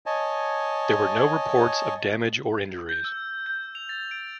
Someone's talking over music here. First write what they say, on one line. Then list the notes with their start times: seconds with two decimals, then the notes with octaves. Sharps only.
There were no reports of damage or injuries.
0.06 C#5 D#5 G#5 A5
2.89 G6
3.04 E6
3.46 G6
3.75 F7
3.89 A6
4.11 D7